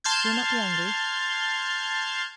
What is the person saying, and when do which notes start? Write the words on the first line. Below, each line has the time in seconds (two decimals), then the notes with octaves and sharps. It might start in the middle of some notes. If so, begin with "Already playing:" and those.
"You will not be angry?"
0.04 A5 C6 F6 G6 G#6